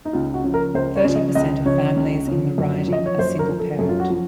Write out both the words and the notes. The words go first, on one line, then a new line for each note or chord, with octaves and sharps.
Thirty per cent of families in the riding are single-parent.
D#4
C#2 F4
F#4
C#3 F3
A#4
C#2 C5
C#5
C#3 F3
D#5
C#2 D#5
C#3 F3 C#5
C#2
C#3 F3
F#2
F3 D#5
C#5
F#2 C5
A#4
F3
A4
F#2 A4
F4
F#4
F3